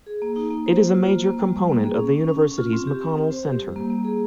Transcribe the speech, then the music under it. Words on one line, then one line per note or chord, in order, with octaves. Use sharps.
It is a major component of the university's McConnell Center.
G#4
A#3
D#4
A#3
C5
A#3
F4
A#3
A#3
G3
A#3
A#3
G#4
C#4
C#4
C#4
C#4
F4
C4
G4
C4
C4
C5
G4
G3
A#3
A#3
G#4